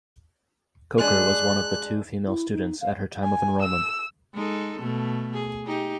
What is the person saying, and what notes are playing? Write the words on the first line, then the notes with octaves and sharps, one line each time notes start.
Coker was one of the two female students at her time of enrollment.
G#3 D4 F#6
E4
D#4
F5
G#5
E6
G#3 D#4 A4
B2 A3
G#4
D#4 G4